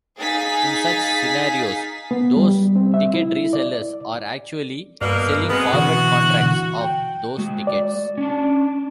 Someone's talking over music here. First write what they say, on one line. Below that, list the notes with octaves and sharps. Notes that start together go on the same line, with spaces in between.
In such scenarios, those ticket re-sellers are actually selling forward contracts of those tickets.
D#4 G#4 F5 G#5 A6 B6
B3
G3
C4
E5
E4
D5
G2 B2 A#3 D5 F6
G#3 B3 C4
B2 D3 E3 F#4
G5
G#3 F#4
D5
C#4 D4